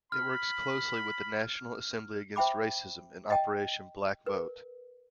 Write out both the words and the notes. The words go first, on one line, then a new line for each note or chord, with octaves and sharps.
It works closely with the National Assembly Against Racism and Operation Black Vote.
B5 F6
C5 E5 G5 B5 D6
D#5 G5 A5
A#4 B4